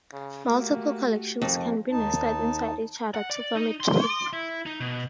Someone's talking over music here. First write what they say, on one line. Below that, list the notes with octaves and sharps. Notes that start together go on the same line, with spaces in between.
Multiple collections can be nested inside each other to form a tree.
C#3
A3 A#3 F#4 G4
F2 D#3
D#2 D#4 A5
F#5
D5
D#4
C6
E4
D#4
B2